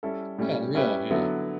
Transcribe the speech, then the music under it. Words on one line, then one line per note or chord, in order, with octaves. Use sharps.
Yeah, yeah, yeah.
G3 C#4 E4 A4
A2 G3 C#4
G3 C#4 E4 G4 B4
D3 F#3 B3 E4